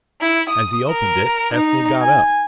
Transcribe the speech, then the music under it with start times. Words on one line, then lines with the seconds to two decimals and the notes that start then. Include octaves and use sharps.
As he opened it, Ethne got up.
0.21 E4
0.49 D#6
0.90 A#4
1.53 D#4
2.02 G#5